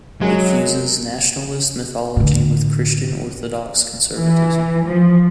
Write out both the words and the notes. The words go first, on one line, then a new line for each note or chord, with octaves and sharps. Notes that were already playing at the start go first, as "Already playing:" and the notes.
It fuses nationalist mythology with Christian Orthodox conservatism.
F#2 F#3 G#3
A2 D3
E3
F3